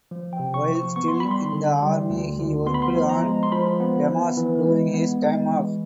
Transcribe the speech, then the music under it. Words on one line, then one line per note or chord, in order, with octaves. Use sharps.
While still in the army, he worked on demos during his time off.
F3
G5
C3
C#6
F3
C#6
B3 C#6
C6
G3 B5
C6
D3
G3
D2
D2
B3 C6
B5
C6
F3
A#5
G#3
C6
F3 B5
B3
B3
E3
G#3
B3
G#3
E3